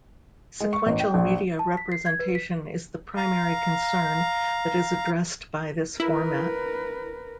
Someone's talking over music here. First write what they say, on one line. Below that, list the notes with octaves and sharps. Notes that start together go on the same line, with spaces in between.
Sequential media representation is the primary concern that is addressed by this format.
G#3
C#6
A1
G5
A#1
A5
B6
C7
G#6
B4
B6
F5 A#5
E4 A#4 B4